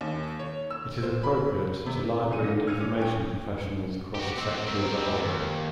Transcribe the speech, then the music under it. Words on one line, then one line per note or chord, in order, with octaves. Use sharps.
It is appropriate to library and information professionals across the sector as a whole.
D#2
C#5
E6
C5
B5
C3
F#1 A#2 C#3 G#5 C#7 D#7
D2 C#3 A#6
A2
E6 F6 G#6 C#7 D#7 F7
E3 C#4 D6
G5 G#5 C#6 G#6
F#4 G4
G#2 C4
C4 A#4
G3 C4
D#2